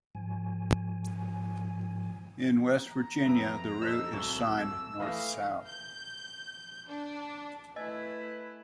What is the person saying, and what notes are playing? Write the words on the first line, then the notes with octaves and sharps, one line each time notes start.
In West Virginia, the route is signed north-south.
G#2 F3 G#5
A#5
F2 B4 E5 D7
A4 C5 D#5 E6
D1 C2 C#6
E3 A3 F5 B5 D#6 A#6
G6
D4
A3 E4 B4 D#5 G#5 E6 G#6